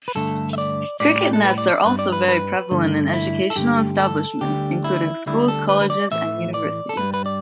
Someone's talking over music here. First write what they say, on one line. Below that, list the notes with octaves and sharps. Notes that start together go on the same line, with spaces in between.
Cricket nets are also very prevalent in educational establishments; including schools, colleges and universities.
B4
G2 D3 A3 A4
E5
D5
A2 G3 D5
G4
A4
B4
D5
G2 G3 B4
D5
B4
B4
G2 D3 A3
E4
A4
G2 D3 A3 G4
A4
D2 D3 G3 G4
E4
D2 D3 G3 E4
A4
B4
B4
D5
A2 E3 A3 E5
D5
A4
G2 G3 B4
B4
D5